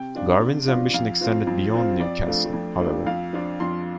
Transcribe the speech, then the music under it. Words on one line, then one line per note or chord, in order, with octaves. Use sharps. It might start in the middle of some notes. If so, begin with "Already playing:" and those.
Garvin's ambition extended beyond Newcastle, however.
Already playing: C3 G5
F3 D4 F4
C3
F3 D4 F4
F2 F5
F3 C4 F4
F2
F3 C4 F4
F2 D5
F3 A3 D4
F2
F3 A3 D4
F2 F5
F3 D4 F4
F2 C6